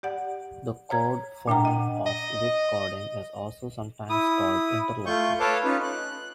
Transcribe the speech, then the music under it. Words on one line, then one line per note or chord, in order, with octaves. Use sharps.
The cord form of whipcording is also sometimes called Interlocking.
G4 D5 F#5
C#5 A#5 G#6
A#2 D4 G5 A#5
D#5 F#5
D#5
E4 D#6
A3 F4 C#6 G6
A4 B4 C#5 F5 A5 D6
C#4 D#4 F4 B4
F#6